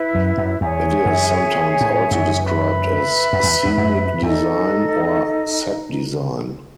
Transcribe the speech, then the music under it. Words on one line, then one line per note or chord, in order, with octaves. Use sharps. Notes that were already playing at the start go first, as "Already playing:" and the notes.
It is sometimes also described as "scenic design" or "set design".
Already playing: E4 B4 E5
F#2
F#2
E2 G#4 C#5 E5 G#5
F#2
A2
F#2
B4 E5 B5
F#2
E2
E2
F#2
E2 D#4 A4 D#5